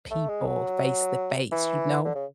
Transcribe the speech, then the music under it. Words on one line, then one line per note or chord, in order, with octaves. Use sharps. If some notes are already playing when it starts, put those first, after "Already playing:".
people face to face, you know?
A3
G#3
F#3
E3
D3
C#3